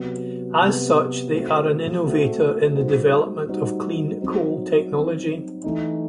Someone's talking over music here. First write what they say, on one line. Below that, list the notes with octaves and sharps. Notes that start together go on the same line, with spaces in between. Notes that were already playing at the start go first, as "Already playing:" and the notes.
As such, they are an innovator in the development of clean coal technology.
Already playing: C3 F#3 B3
C3 F#3 B3
A3 C4 F#4
A3 C4 F#4
G3 D#4 F#4 C5
G3 D#4 F#4 C5
F#3 C4 D#4
F#3 C4 D#4
E3 A3 D#4